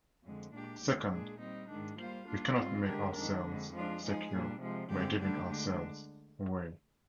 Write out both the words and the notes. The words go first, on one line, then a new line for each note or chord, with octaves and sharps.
Second, we cannot make ourselves secure by giving ourselves away.
F2 D3 G#3
A#2 G#3 D4 G4
D#2 D3 G#3
A#2 G#3 D4 G#4
G3 C4 D#4
G#2 D#3 G#3 D4
G3 A#3 F4 C5 F5
G3 A#3 D4 F4
G#2 G3 C4 F4
D3 G#3 D4 G4 A#4
F2 D#3 G#3 D4
F2 D3 G#3
F3 G#3 D4 F4
F3 G#3 D#4 G#4
A#2 G3 D4
C3 F3 G#3
G2 D3 G#3 C4 G4
D2 D3 G3 D4 G4
D3 G#3 D4